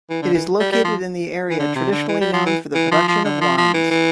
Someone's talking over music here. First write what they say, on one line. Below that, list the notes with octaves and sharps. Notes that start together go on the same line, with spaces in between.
It is located in an area traditionally known for the production of wines.
E3
D3
E3
G3
G3
F3
E3
D3
C3
D3
E3
G3
F3
E3
E3
F3
F3
D3
F3
F3
E3
E3